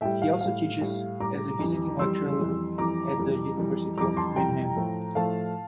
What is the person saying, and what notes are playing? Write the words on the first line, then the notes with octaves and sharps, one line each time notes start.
He also teaches as a visiting lecturer at the University of Mannheim.
A2 G3 E5 G5
F5
A2 G3 F5
A2 G3
A2 G3 A#5 D6
F2 E3 G3
F2 E3 G3 C6 E6
F2 E3 G3
F2 E3 G3 A#5 D6
F2 E3 G3
F2 E3 G3
F2 E3 G3 A#5 D6
A5 C6
F2 E3 G3 G5 A#5
A2 F3 A3
A2 F3 A3 F5 A5